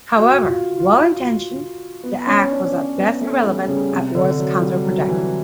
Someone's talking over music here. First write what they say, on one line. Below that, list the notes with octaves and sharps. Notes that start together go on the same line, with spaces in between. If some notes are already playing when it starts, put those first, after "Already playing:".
However well-intentioned, the Act was at best irrelevant, at worst counter-productive.
F#4
F4
F4
B3
C#4
D4
C#4
B3
A3
G3
C#3
C3
D3
F#3
G3
F#3
E3